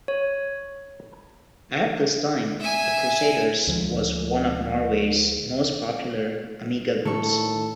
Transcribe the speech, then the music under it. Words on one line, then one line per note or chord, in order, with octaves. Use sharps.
At this time, The Crusaders was one of Norway's most popular Amiga groups.
C#5
E5 G#5
D2 F3 G#3
A2 D#3 A4 C#6